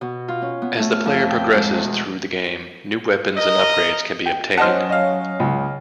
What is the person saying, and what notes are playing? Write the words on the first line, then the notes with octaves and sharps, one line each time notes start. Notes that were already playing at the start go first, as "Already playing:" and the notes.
As the player progresses through the game new weapons and upgrades can be obtained.
B2
F4
C#4
B3
A3
F6
F2
G5
G#3
E2
B2
A#4 D#5
G5
F#3 C#4 C5 D#5 F#5 A5 F6
D#5 F5
C#2